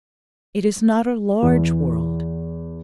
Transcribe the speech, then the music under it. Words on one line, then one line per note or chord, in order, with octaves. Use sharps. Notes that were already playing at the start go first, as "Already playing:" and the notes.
It is not a large world.
E2